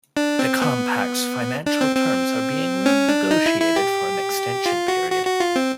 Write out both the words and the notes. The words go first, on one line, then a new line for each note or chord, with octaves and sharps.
The Compact's financial terms are being renegotiated for an extension period.
D4
C4
B3
D4
C4
C4
C#4
D4
D#4
E4
E4
G4
F4
F#4
F#4
F#4
F4
C4